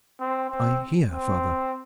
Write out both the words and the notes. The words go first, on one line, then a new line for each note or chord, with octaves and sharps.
"I hear, father."
C4
C4
C4